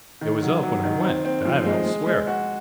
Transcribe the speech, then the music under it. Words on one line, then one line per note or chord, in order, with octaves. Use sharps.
'It was up when I went, that I'll swear.
D#3
F#3
F#3
D#3
C4
C4
F3
G#3
G#3
G#3
F#4